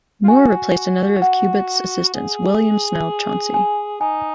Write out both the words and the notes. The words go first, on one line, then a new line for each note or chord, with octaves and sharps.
Moore replaced another of Cubitt's assistants, William Snell Chauncy.
F4
F#4 G#5
F#5
G#4
G#5
D#4 G#5